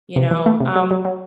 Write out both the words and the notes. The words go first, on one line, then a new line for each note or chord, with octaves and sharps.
you know, um,
C3
E3
A3
C3
F#3
F#3
F#3